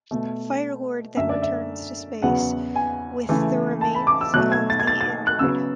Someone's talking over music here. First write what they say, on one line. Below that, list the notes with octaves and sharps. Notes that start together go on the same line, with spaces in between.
Firelord then returns to space with the remains of the android.
B2 A3
F#2 D3 A3 E5
D5
E5
E2 C#3 F#3 B3 F#5
G#5
C#3 E3 A3
A5
B5
D6
E6
B2 F#3 A3 F#6
G#6
A6
G#6
A6
A6
F#6
C#3 F#3 B3 E6